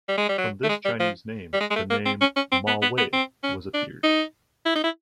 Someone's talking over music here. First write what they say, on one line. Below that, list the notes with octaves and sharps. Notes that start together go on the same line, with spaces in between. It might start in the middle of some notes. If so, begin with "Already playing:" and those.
From this Chinese name, the name Ma Wei was appeared.
G3
G#3
G3
F#3
A3
G#3
G3
F3
G3
G#3
G#3
A3
A#3
C4
C#4
C#4
C4
B3
B3
B3
C4
C#4
D4
D#4
E4
D#4
E4